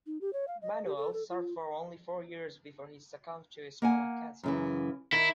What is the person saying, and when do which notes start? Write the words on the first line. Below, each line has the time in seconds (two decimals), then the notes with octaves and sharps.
Manuel served for only four years before he succumbed to stomach cancer.
0.07 D#4
0.21 G4
0.33 C#5
0.48 F5
0.62 D#5
0.85 G4
0.97 A4
1.13 A4
1.30 F4
3.82 A#3 F#5 G#5
4.43 F#2 C#3 E3
5.13 D#3 E4